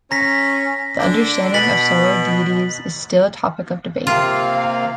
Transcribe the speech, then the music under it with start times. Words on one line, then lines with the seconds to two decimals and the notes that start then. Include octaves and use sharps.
The understanding of solar deities is still a topic of debate.
0.11 C#4 A#5 A#6 B6
1.00 D3 D4
1.54 B2 A6 B6 F#7
4.07 C3 A#3 C4 F4 F5